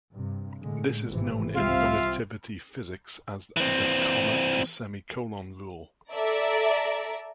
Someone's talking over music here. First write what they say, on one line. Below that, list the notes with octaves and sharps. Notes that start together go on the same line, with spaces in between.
This is known in relativity physics as the "comma to semi-colon rule".
G2 C3
A2 D3 G#3
G#1 C3 E3
C2 C4 F4 E5 F5
E3 C4
A4 D5 E5 A#5